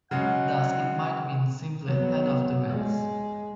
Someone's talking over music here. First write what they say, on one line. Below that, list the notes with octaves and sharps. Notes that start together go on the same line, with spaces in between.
Thus it might mean simply 'Head of the Winds'.
C#3 F#3 G#3 F#5
F#3 B3
G#3